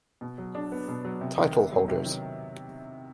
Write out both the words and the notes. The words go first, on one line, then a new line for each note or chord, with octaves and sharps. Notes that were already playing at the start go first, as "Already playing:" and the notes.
Title holders.
B2
F#3
D4
B3
B2
F#3
C3
D#3
B3
F#3
C3
D#3